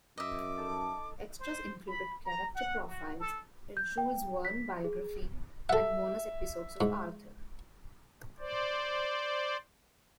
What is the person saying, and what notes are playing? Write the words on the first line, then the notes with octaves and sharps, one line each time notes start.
Extras included character profiles, a Jules Verne biography, and bonus episodes of Arthur!
F#2 D#5 E5 D6
D#4 A4 A5
C5
B5
A#5
F#5
F#4
A4
G6
G5
B6
G#4
A4 E5 F#5
G#2
C5 D5